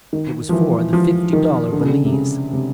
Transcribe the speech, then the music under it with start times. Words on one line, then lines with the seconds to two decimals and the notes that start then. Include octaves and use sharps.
It was for the fifty-dollar valise.
0.13 D#3
0.49 F3
0.53 E3
0.93 F3
1.33 D#3
1.73 D3
1.81 C#3
1.88 D3
2.05 C3
2.12 C#3
2.53 C3